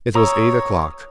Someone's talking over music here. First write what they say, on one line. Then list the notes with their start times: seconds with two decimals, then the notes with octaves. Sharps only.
It was eight o'clock.
0.15 C#5 A#5 D#6 E6